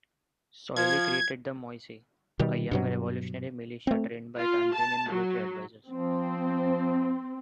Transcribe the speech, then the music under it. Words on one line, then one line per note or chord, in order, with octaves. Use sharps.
Soilih created the 'Moissy', a young revolutionary militia trained by Tanzanian military advisers..
F3 G#6
B2 D#3 G3
G2 B2 F#3
A3 C4
F4
A5
F#3
F3 C4